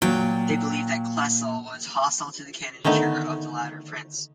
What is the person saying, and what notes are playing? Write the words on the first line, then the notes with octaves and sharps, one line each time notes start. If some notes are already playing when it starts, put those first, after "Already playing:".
They believed that Klesl was hostile to the candidature of the latter prince.
A#2 F#3 G5
D3 D#3 A3 B3 D#4